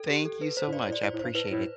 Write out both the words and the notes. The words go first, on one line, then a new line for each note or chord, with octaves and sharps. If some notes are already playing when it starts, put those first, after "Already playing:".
Thank you so much, I appreciate it.
Already playing: A4
G4
A4
B4
C5
A2
G2 D5
C5
A2
D5
A2 C5
A2
C5
G2
A2 B4
A2